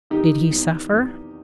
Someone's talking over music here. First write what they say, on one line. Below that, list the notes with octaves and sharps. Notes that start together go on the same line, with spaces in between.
Did he suffer?
D#3 D#4 G4
E2
E2